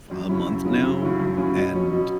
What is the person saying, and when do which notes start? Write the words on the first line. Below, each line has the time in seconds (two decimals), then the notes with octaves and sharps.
a month now, and
0.11 F#2
0.29 C#3 F#3 C#4 E4
0.47 F#2
0.65 C#3 F#3 C#4 E4
0.83 F#2
1.02 C#3 F#3 C#4 E4
1.19 F#2
1.37 C#3 F#3 C#4 E4
1.55 B2
1.74 F#3 C#4
1.91 B2